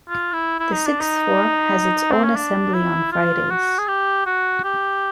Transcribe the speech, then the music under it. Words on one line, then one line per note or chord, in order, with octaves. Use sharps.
The Sixth Form has its own assembly on Fridays.
F4
E4
E4
D#4
D4
D#4
C4
C#4
D4
E4
F4
F#4
G#4
G4
F#4
G4